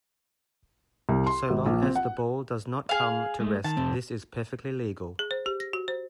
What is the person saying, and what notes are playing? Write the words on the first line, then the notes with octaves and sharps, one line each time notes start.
So long as the ball does not come to rest this is perfectly legal.
C2
C6
G#1
A#1
C4
F#5
G#4 F5
G#3 A3
D#3 A5
F2 C3 C4
G#4
C5
G4
A#6
F#4
C5